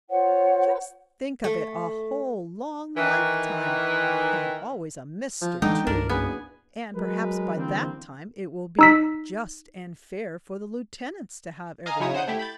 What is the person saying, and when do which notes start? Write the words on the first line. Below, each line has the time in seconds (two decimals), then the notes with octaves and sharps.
Just think of it--a whole long lifetime--and always a Mister, too--and perhaps by that time it will be "just and fair" for the lieutenants to have everything!
0.10 F4 C5 C#5 F#5
1.44 A3
2.97 D#3 E3
5.41 F3
5.62 D3 E3 G#3 D#4 G5
5.87 D1 C2 G2 D4 A#4
6.09 F#1 B3 G#4
6.95 F#3 G#3 A#4 B4
7.56 D3 E3 G3 A#3 C4
8.79 D#4 E6 B6
11.86 D#5 F5 G#5 A#5 D#6 F6
12.00 C#3 F#3 D#4 E4 C#5 D#6
12.14 C5 F#5 D#6 G6
12.28 A3 E4 G4
12.39 B5 G6 A6